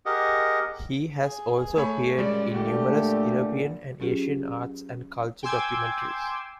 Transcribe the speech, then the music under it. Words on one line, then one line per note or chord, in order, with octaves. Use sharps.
He has also appeared in numerous European and Asian arts and culture documentaries.
G4 G#4 A#4 D#5 F#5
G#4
A3 C#5 B5
A#2 C#3 G3 G#3 D5 D6
A#2 D3 A3 G4
F#3 C#4 F4 G4 G#4
G5 G#5 C6 D6 E6 G#6